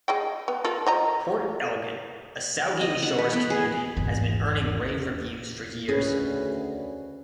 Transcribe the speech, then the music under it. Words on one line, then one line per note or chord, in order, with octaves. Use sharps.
Port Elgin, a Saugeen Shores community, has been earning rave reviews for years.
G#4 D#5 G5
B3
F4 A4 A#4
C5 D#5 A#5
D#5
F#5
B4
B3
G#4
G#1 E2
D2 C#4 G#4 B4